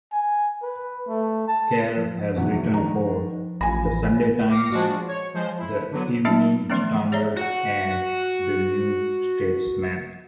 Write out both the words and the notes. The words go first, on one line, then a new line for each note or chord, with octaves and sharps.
Kerr has written for "The Sunday Times", the "Evening Standard" and the "New Statesman".
G#5
B4
A3
A5
F3
F#1 E2 B2 F#5
D#3 D4 A#5
A1 F4 G#5 B5 A#6
D6 F6 A#6 C7 C#7
F3 G#3 D4 F#4
C#5
F3 G#3 C5
E4
D3 F#3 B3 D#7
F#3 A3 C#4 D#4 E5 A5
E3 F3 A3 B3 C#4
G#4 C#5 D5 E5 A#5
F#4 F#5